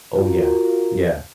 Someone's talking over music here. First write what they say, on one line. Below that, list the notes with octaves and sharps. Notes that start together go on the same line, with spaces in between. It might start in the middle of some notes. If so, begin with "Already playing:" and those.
Oh, yeah. Yeah.
F4 F#4 A#4